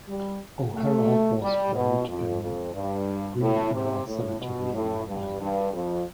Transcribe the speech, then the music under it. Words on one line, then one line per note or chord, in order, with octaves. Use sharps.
O'Hara was buried in Green River Cemetery on Long Island.
G3
A3
G3
B2
F2
F2
G2
A2
C3
A2
B2
A2
G2
G2
F2